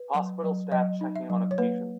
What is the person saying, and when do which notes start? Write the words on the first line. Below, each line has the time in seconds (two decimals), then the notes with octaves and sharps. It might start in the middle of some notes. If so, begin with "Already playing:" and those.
Hospital staff checking on a patient.
Already playing: B4
0.15 F#3
0.44 F#3
0.72 F#3 D#5
1.01 D#4
1.16 E5
1.30 F#3
1.51 C#5
1.58 A#3 B4